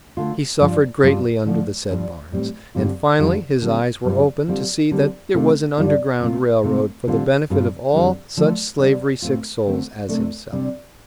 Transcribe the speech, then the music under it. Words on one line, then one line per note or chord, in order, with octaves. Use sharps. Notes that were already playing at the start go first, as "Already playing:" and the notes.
He suffered greatly under the said Barnes, and finally his eyes were open to see that there was an Underground Rail Road for the benefit of all such slavery-sick souls as himself.
D3 A3 F4
G2 F3 D4 F4
G2 G3 F4
D3 F3 A3
G2 F3 D4
A2 G3 C4
G2 D3 G3 C4 F4
F2 D3 G3 F4
D3 G3 C4
G2 G3 C4 F4
D3 G3 C4 F4
D3 G3 C4
C3 A3 F4
G2 D3 G3 D4 F4
C3 A3 F4
C3 A3 F4
D3 G3 C4 F4
G2 G3 C4 F4
F2 D3 G3 D4
D3 F3 A3
D3 G3 D4
A2 A3 C4 F4
D3 A3 C4
C3 A3 D4
C3 G3 D4